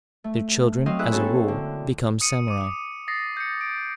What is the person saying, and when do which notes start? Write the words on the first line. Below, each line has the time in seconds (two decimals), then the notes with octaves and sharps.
Their children, as a rule, become samurai.
0.24 A3
0.86 F#3 C4 D#5 F5
0.99 E4 G#4 B4 E6 F#6
1.12 A#3 C4 C#4 F#4 A4 C#5
1.48 D3
2.21 D#6 C#7 D#7
2.48 D6 D#7
3.08 D#6 A6 A#6 C7
3.37 G6 C#7
3.61 D7